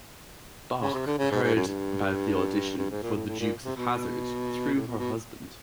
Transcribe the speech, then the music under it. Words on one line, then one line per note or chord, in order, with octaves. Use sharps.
Bach heard about the audition for "The Dukes of Hazzard" through her husband.
C#3
C3
D3
C#3
G#2
G#2
F#2
G2
G2
G#2
A#2
A2
A2
A#2
C3
B2
A2
B2
B2